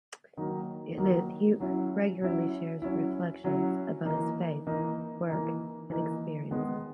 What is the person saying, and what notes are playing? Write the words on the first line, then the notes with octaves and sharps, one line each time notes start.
In it, he regularly shares reflections about his faith, work, and experiences.
D#3 F#3 A#3
D#3 F#3 A#3
F#3 C#4 E4
F#3 C#4 E4
F#3 C#4 E4
F#3 C#4 E4
E3 A#3 D#4
E3 A#3 D#4
E3 A#3 D#4
E3 A#3 D#4
D#3 G#3 B3